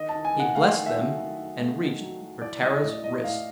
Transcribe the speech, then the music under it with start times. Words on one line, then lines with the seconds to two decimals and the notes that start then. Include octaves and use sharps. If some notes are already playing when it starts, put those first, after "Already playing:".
He blessed them and reached for Tara's wrist.
Already playing: D#3 D#5
0.09 A5
0.14 D#3
0.25 G#5
0.35 D#3 F#5
0.55 A3 F5
0.76 D#3
0.86 E5
0.97 F#3
1.17 D#3
1.38 D#3
1.60 A3
1.79 D#3
2.00 F#3
2.21 F#3
2.41 E3 D5
2.62 E3 D#5
2.83 A2 D5
3.03 A2 D#5
3.24 A2 F5